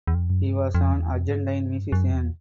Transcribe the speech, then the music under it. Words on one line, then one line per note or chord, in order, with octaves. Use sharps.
He was an Argentine musician.
E2
F2
F#2
G2
F#2
F2
E2
F2
G#2
G2
F#2
E2